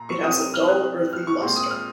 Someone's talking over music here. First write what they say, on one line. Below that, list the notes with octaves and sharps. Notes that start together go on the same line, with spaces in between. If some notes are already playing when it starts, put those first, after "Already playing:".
It has a dull, earthy lustre.
Already playing: A#2 A#5
C#6
C3 F#3 C4 D#6
D#6
F6
F#6
F6
C#6
A#2 G#3 C4 C6
D#6
F6